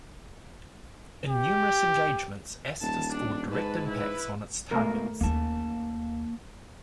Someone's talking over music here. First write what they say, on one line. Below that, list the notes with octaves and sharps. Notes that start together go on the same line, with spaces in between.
In numerous engagements Aster scored direct impacts on its targets.
G4
D#1 A5
D4
G#2 B4 A5
E4 B4
G#2 B2 A3 A#3 A#4
D#2 A#3 C#4 A5